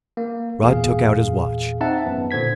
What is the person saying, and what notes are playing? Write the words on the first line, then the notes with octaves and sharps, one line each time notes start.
Rod took out his watch.
A#3
E2 A#2 G#4 F5
C4 D#4 E5 F#5 A5
G#1 F#2 B3
A#2 D3 C5 G#6 B6